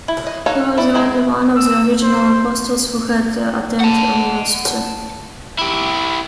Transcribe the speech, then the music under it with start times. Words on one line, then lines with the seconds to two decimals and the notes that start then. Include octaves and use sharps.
He was the only one of the original apostles who had attended university.
0.08 E4
0.27 D#5
0.46 D#4 A4 C#5 F5 F#5
0.77 A3 E4 D5
0.94 G#3 A#3 E4 C5
1.56 E6
2.03 C5
3.81 F#5 A5
5.59 E4 G4